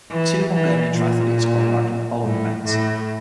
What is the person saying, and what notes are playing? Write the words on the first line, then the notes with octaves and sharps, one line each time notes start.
Two Hungarian triathletes qualified for the following events.
E3
E3
A#2
A2
A2